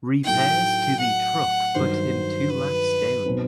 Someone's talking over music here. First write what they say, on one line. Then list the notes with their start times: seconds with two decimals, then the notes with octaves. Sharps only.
Repairs to the truck put him two laps down.
0.25 A2 F#3 A3 D#4 G5
1.00 F#5
1.75 G2 D#3 F#3 C5
2.50 B4
3.25 B2 F#3 C4 D#4